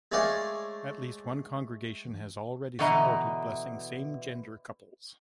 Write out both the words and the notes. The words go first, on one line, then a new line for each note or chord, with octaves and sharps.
At least one congregation has already supported blessing same-gender couples.
G#3 A3 C#4 D5 F5
B2 D3 E3 D#5 A#5